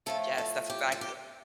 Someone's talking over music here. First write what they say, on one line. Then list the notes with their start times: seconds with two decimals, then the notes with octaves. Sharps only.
Yes, that's exactly
0.06 A2 F3 A3 A4
0.38 A4
0.70 G4
0.92 A4
1.01 G4